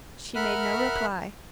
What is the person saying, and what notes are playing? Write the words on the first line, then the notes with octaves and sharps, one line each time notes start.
She made no reply.
A#4 E5 F#5 B5 F6 F#6